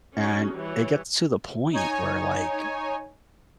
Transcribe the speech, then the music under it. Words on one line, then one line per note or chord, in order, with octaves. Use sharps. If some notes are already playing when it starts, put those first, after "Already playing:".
and it gets to the point where, like,
C#4 D#4 F#4 G#4
E3 G3 C#5
D#4 C#5 G#5